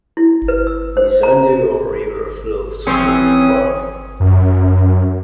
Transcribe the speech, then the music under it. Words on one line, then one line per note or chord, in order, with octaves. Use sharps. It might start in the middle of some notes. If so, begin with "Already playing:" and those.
The San Diego River flows through the park.
E4
B4
E6
C5
A#5
E3 F3 C4 C#4 C5 D#6
F#2